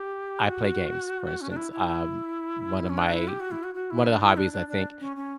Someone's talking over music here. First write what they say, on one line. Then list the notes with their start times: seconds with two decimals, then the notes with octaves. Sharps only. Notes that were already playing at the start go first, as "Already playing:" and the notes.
I play games for instance, um, one of my o one of the hobbies I think,
Already playing: G4
0.47 F#4
1.41 C#4
1.50 D4
1.56 E4
1.72 E4
2.89 C#4
2.98 D4
3.13 E4
3.28 G4
3.40 F#4
3.51 E4
3.63 F#4
3.75 F#4
3.90 E4
4.07 D4
4.22 E4
4.37 D4
4.53 D4
4.68 D4
5.00 C#4
5.16 C#4